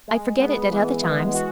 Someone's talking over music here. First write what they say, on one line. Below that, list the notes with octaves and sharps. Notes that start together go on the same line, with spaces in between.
I forget it at other times.
G#3
B3
E3
G#3
F#4